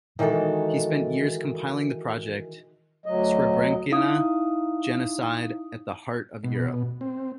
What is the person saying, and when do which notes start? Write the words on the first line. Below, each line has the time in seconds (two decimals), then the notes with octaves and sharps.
He spent years compiling the project "Srebrenica - genocide at the heart of Europe".
0.19 D#3 E3 G#3 F#4 A4
3.06 D2 F#3 D#5
3.92 D#4 E4 F5 D#6
6.44 B2
7.01 C4